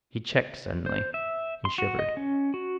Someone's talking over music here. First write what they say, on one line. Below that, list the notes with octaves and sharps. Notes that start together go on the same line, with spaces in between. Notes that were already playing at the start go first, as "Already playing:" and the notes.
He checked suddenly, and shivered.
C5
E5
C6
F#4
D#5
C#4
F#4